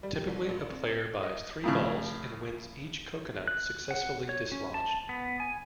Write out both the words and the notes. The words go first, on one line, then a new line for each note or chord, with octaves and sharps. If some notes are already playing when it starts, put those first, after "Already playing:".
Typically a player buys three balls and wins each coconut successfully dislodged.
G3
G4
C2
A#1
C4
G#6
D#5
F2 A2 C#3
F#6
F#5
C#5
C#4
A5
B3
G#5